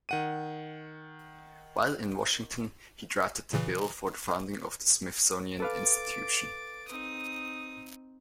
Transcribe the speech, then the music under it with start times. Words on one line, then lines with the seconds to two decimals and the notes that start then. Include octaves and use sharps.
While in Washington, he drafted the bill for the founding of the Smithsonian Institution.
0.09 D#3 F#5 D#7
3.53 A#2 C#3 E3
5.60 A4 B4 F5 D6 A6 D7
6.89 C4 D#4 D#6